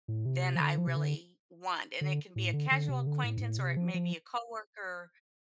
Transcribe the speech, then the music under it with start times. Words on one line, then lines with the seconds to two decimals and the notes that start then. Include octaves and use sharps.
than I really want, and it can be a casual acquaintance, or it may be a coworker,
0.08 A2
0.26 C3
0.56 F3
0.60 D3
0.78 F3
0.87 C3
0.96 D3
2.01 D3
2.36 A2
2.54 D3
2.71 D3
2.89 C3
3.07 D3
3.24 A2
3.37 G2
3.41 A2
3.59 C3
3.77 F3
3.94 F3